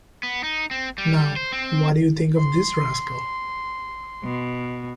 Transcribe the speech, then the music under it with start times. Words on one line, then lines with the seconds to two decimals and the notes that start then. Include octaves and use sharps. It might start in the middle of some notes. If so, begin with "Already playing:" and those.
Now, what do you think of this rascal?
0.23 B3
0.44 D#4
0.71 C4
0.98 G3
1.36 C5
1.52 C4
2.37 C6
4.24 B2